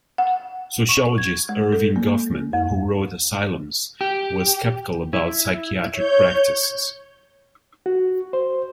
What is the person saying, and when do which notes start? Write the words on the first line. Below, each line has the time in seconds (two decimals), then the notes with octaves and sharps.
Sociologist Erving Goffman, who wrote Asylums, was skeptical about psychiatric practices.
0.18 F#5
0.89 C#6
1.18 G#6
1.49 G#3
1.73 A4
1.96 A#3
2.53 F2
4.01 G4
5.13 E4
5.92 C#5 G6
7.86 F#4
8.33 C5